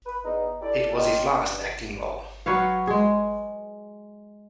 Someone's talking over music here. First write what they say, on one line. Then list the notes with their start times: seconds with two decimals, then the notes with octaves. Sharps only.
It was his last acting role.
0.06 B4
0.24 E2 D#4
0.62 D4 E4 G4 A4 D5
0.94 C#4 D#4 F4 G4
1.40 G2
2.46 F#3 B4 C#5 F5
2.87 G#3 G#4